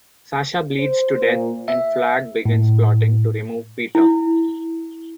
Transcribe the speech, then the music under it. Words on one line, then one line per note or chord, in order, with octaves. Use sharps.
Sasha bleeds to death and Flagg begins plotting to remove Peter.
C5
A#2
E5
A2
E4